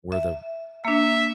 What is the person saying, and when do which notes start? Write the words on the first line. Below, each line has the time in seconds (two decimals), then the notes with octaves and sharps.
Where the
0.12 E5
0.85 A#3 D4 E5